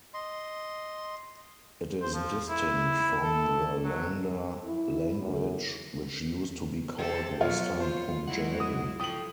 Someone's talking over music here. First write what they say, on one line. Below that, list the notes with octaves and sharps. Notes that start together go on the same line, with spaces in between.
It is distinct from the Lahnda language, which used to be called Western Punjabi.
D#5 C6
C5
F3
E4
A4
F#3
E4
F#2
G4 A4 C5 G5
B2 F3 F#3 F4 C#5
F4 C5
F#3 G#3 E4 F#5
D#6
F3 A4 G5 D#6 F#7